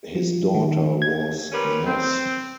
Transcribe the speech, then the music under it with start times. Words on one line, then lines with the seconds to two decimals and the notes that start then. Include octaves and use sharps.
His daughter was Ness.
0.15 F3
0.54 D#3
1.02 G#6
1.52 C3 G3 C#4 A#4 B4
1.86 C4